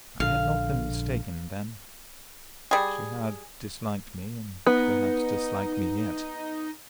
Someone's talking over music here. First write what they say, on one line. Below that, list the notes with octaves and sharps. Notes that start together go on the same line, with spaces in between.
I had not been mistaken, then; she had disliked me, and perhaps disliked me yet.
A#1 D3 F5
G3 G#4
B3 D#4